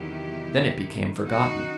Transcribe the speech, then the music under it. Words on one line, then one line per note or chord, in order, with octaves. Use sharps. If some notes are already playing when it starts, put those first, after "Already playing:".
Then it became forgotten.
Already playing: E2 C3 D#3 F#3 E4 G4
F#2 D#3 F#3
D#4 F#4